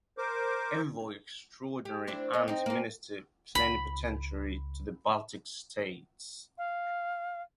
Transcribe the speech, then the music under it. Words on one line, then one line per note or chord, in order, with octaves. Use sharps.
Envoy Extraordinary and Minister Plenipotentiary to the Baltic States.
A#4 C5 D6
G4
C4 D4 E4
B3 D#5
C4 D#4
A#3 C4
C#2 B5
F5